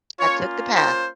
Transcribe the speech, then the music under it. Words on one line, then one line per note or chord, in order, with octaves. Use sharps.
I took the path
A#3 C#4 F4 C#5
C5